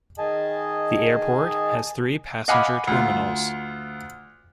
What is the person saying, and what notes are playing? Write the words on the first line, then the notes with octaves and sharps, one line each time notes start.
The airport has three passenger terminals.
D#3 G#4 D#5 G#5 A5
D#5 F5 F#5 G#5 B5 D6
D2 F4